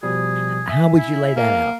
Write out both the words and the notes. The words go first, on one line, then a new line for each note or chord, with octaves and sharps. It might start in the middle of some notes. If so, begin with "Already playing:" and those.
H how would you lay that out?
B2 F3 G3 G#4
E5 G#5
E4
A#3 F5